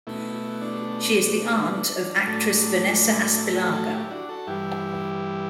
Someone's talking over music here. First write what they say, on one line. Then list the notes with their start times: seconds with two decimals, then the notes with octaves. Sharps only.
She is the aunt of actress Vanessa Aspillaga.
0.07 B2 A3 E4
0.61 D4
1.17 D4
2.27 A2 F#3 A3 D4
3.37 E4
3.55 F#4 A4
3.74 F#4 A4
3.88 F#4
3.92 E4 G4
4.10 D4 F#4
4.29 F#4 A4
4.47 G2 E3 G3 E4 G4